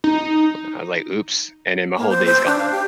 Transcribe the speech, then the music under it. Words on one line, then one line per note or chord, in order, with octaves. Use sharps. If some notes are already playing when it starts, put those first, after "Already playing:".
like I was like, "Oops." And then my whole day's gone.
D#4
A#3
C5
C5
D4
F5
G4